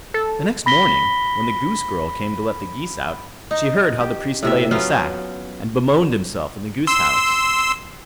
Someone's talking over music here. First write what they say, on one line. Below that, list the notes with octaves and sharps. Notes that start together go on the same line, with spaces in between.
The next morning, when the goose-girl came to let the geese out, she heard how the Priest lay in the sack, and bemoaned himself in the goose-house.
A4
B5 A#6 B6 G7
D#4
G4
A2 C3 E5
F#3 B3 C#4 F4
C6 E6